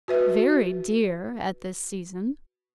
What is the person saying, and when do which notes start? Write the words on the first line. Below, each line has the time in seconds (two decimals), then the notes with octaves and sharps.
"Very dear at this season."
0.08 F#4 B4 E5